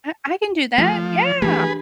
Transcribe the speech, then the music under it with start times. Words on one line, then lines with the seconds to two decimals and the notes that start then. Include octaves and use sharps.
I I can do that, yeah.
0.78 F3 A3
1.42 E3 A3 D4 G4 G#4 B4